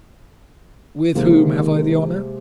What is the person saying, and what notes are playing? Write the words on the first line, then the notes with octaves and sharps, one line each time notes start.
"With whom have I the honour?"
C3 D#3 G#3 A#3